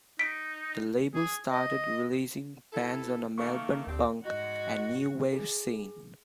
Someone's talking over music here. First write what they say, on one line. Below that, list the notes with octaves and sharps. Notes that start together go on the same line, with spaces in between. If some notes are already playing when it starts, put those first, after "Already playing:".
The label started releasing bands on the Melbourne punk and new wave scene.
D#4 B6 D7
G#4
D#5
E4 A4
D#3 A3 A#3 C#6
D2 C4 D4 G4
G#2 F#4 D#5 F#5
G#4